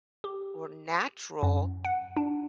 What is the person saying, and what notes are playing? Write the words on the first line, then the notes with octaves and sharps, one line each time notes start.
were natural
G4
F#2
F#5
D4